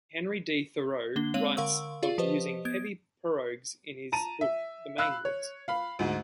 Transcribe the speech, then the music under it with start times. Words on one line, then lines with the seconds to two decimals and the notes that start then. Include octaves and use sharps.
Henry D. Thoreau writes of using heavy pirogues in his book "The Maine Woods".
1.16 D3 A#3 D4 G7
1.34 G#3 C4 C#5 F5 D#7 F#7
1.57 D3 A#4 F5 C#6 E6
2.03 F4 G#4 D5 F5
2.18 F3 G4 B4 C5 D#5
2.65 B3 G#6 D7
4.12 A5 A#5 D#7
4.41 E5
4.98 F5 B5 E6 F#6
5.25 C#5
5.68 F5 B5
5.99 D2 G#2